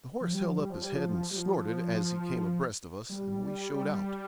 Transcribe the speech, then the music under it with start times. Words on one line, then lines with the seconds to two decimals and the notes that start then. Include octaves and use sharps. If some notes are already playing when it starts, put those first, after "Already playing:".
The horse held up his head and snorted as he came abreast of us, and we showed out.
0.21 F3
0.33 G3
0.45 F3
0.58 G3
0.70 F3
0.82 G3
0.94 F3
1.31 G3
1.36 F3
3.09 G3